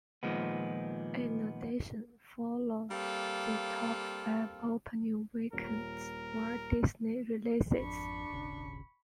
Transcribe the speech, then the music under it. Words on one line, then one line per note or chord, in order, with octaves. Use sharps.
In addition, four of the top-five opening weekends were Disney releases.
A#2 D#3 F3 G#3 B3
G3 A#3 C4 A4 F5
D#1 A#4
G#1 F2 D4 B5 C#6
D#1 G#1 C#3